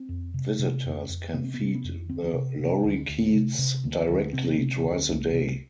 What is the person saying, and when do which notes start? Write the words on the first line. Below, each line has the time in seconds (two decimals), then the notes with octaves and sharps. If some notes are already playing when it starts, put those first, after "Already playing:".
Visitors can feed the lorikeets directly twice a day.
Already playing: C4
0.09 F2
0.34 C3
0.59 C3
0.85 F2
1.09 F2
1.34 C3 B3
1.44 C4
1.54 B3
1.59 C3
1.65 C4
1.75 B3
1.84 F2
2.09 D2 C4
2.34 C3
2.59 C3
2.84 D2
3.08 D2
3.34 C3
3.58 C3
3.84 D2
4.08 D2
4.33 C3 C4
4.59 C3
4.83 D2
5.09 C2
5.33 C3